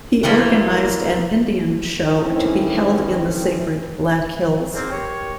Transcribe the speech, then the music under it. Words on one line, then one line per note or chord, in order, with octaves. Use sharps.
He organized an Indian show to be held in the sacred Black Hills.
E3 F3 G3 A#3
A2 D#3 E3 C4 C#4
G#2 F#3 A#3 C4
G4 A#4 C#5